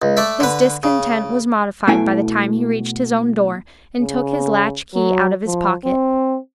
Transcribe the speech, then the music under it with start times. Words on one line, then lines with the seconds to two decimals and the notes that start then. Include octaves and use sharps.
His discontent was modified by the time he reached his own door, and took his latch-key out of his pocket.
0.02 C#2
0.17 A3 D5 E5
0.40 D3 B4
0.83 C#3
1.88 B2 A3 E4 G5 G#5
3.99 C#3
4.94 F#3
5.46 F3
5.84 C4